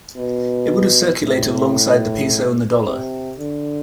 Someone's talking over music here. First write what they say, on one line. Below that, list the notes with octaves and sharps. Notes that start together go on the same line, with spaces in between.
It would have circulated alongside the peso and the dollar.
B2
A2
C3
D3